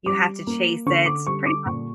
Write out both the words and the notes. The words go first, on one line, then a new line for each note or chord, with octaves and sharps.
you have to chase it pretty much
G3 D6
A#3
D3 C#6
D6
G3 C#6
D6
A#2 C#6